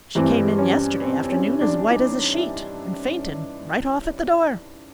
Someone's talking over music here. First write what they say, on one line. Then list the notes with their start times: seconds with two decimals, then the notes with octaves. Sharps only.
She came in yesterday afternoon as white as a sheet, and fainted right off at the door.
0.15 G2 E3 G3 C4
0.59 C#4
1.02 C4
1.23 C4
1.32 C#4
1.61 D4
1.90 D#4
2.34 E4